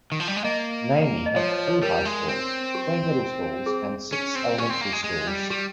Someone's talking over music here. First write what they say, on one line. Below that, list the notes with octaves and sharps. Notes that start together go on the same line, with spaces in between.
Namie had two high schools, three middle schools and six elementary schools.
D#3
F3
G3
G#3
A#3 D#5
D#5
F3 C#5
C#5
C#5
G3 A#4
G#3
C4
G4
G#4
C#4
C4
C#4 G4
C4
A#3
G#3
G#3
G3
G3 G4